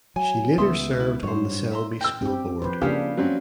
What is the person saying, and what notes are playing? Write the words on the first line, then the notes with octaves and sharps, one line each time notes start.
She later served on the Selby School Board.
F#3 G#5
C#2 B3 E5 C6 D#6
E4
G2 F#3 C5 C#5
E5 A#5 C6
G5 E6
C4 G4
F3 B4 C5
C#3 A#3 D4 G4 F5
F#3 C4 C#4